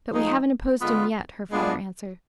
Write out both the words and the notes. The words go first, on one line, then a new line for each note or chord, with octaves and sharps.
"But we haven't opposed him yet," her father answered.
F3 G#3 D#4
D3 G#3 B3 F4
A#2 G#3 B3 D4 F4